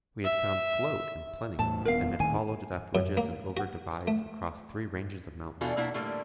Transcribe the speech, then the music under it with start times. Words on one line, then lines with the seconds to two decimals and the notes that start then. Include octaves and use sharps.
We had found "float" in plenty, and had followed it up ridges and over divides across three ranges of mountains.
0.24 E5
1.59 E2 A2 A5
1.85 D#1 B3 A#4 F5
2.20 D#1 A2 D#3 G#5
2.95 F#2
3.17 A#3
3.57 F#4
4.07 A3
5.61 B2 E3 D4 F4 F#4 A4
5.77 B2 A#3 D4 E4 F#5
5.94 A2 D3 G3 A3 A#3